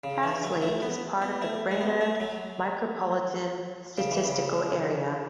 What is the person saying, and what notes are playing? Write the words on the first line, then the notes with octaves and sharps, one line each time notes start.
Cass Lake is part of the Brainerd Micropolitan Statistical Area.
C#3
E3
F#3
A3
B3
B3
A3
A3
B3
A3
F#3
C#3
E3
C#3